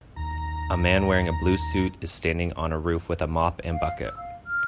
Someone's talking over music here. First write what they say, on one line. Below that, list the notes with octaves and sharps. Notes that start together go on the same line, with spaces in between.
A man wearing a blue suit is standing on a roof with a mop and bucket.
D#2 A#5
F5
E6
F5
F6